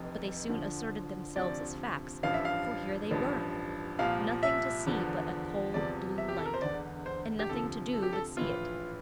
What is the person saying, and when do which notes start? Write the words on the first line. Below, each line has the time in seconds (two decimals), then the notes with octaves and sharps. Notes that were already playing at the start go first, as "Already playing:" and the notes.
But they soon asserted themselves as facts, for here they were!--nothing to see but a cold blue light, and nothing to do but see it.
Already playing: F1 F2 E3
0.48 D2 D3 F3
1.36 D2 C3 F3 D5
2.23 A1 G2 F3 F5
2.34 E5
2.45 F5
3.11 A1 G2 F3
3.99 C2 A#2 F3 F5
4.43 E5
4.87 E2 D3 F3
5.74 E2 C3 F3 D5
6.18 E5
6.29 G4
6.37 A4
6.46 A#4
6.54 C5
6.62 E1 E2 D3 D5
7.06 C5
7.39 G4
7.49 D2 C3 F3 A4
7.93 A4
8.02 G4
8.13 A4
8.37 A#1 A2 E3 F4